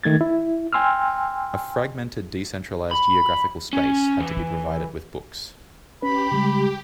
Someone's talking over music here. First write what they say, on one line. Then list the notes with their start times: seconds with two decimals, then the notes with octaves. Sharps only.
A fragmented decentralised geographical space had to be provided with books.
0.03 D#3 A3 G#6 A6
0.21 E4
0.73 G5 G#5 C6 E6 F6
2.91 B5
3.73 C#4
4.20 E3
6.02 C#4 G4 B4 B5
6.32 C#3 G3 G#3